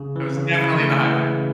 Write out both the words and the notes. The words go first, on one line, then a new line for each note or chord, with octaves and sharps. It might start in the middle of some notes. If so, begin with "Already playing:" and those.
That was definitely the highlight.
Already playing: C#3
E3
C#3
E4
A3
E3
C#3